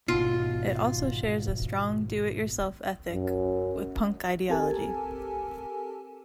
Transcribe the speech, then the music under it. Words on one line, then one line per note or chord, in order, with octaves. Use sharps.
It also shares a strong do-it-yourself ethic with punk ideology.
G#1 B2 F4
F#2
C4 G4 A4 A#4 G#5 A5